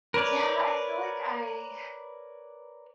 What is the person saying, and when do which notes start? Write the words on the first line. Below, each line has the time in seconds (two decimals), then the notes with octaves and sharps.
Yeah. I feel like I
0.14 A#4 B4 C#5 D5